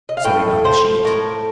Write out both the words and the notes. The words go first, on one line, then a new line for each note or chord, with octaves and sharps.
So he got the sheet.
D#5
F5
A2 G5
F3 C5
A2 A#4